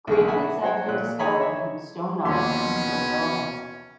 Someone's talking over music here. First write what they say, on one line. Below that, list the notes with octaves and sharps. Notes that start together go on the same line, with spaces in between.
Grave goods that have been discovered include stone knives and stone arrowheads.
B1 D3 E3 G#4 C#6
E5 F#5 G#5 B5
F#4 C5 C#5 G5
A#2 F#6
G#4 C#5 D#5 G#5 A#5 B5
C#5 E5
D#2 B2 F3 C#4 C6